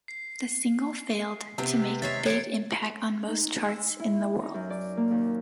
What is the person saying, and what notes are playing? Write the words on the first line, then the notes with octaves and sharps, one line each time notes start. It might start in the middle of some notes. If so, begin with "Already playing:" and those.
The single failed to make a big impact on most charts in the world.
C7
C3 B3 D4 G4
G#3 C#5 E5 A6 C7
C3 E3 C#5 G#6 C#7 D7
D#4
E6
E4
D#4
F#2
D5
A#3
D#2